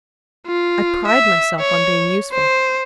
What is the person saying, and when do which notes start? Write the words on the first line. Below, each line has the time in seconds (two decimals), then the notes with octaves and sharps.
I pride myself on being useful.
0.47 F4
1.07 E5
1.60 C#5
2.32 C5